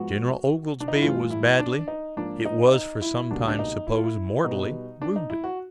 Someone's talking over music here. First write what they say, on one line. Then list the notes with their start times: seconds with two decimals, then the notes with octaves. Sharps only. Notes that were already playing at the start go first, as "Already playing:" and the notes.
General Oglesby was badly, it was for some time supposed mortally, wounded.
Already playing: G#2 F3 G#3 B3 F#4
0.80 D4
0.88 D#4
0.96 E4
1.02 G2 E3 A3 F4
1.31 E4
1.59 D4
1.88 D#4
2.17 G#2 F3 A#3 D4
2.46 D#4
2.74 D#4
3.02 E4
3.30 C#2 B2 G3 A#3 D4
3.48 D4
3.59 D#4
3.87 E4
3.96 F4
4.04 E4
4.44 B2 G3 B3 D#4
5.02 D4
5.16 D#4
5.30 E4
5.44 F#4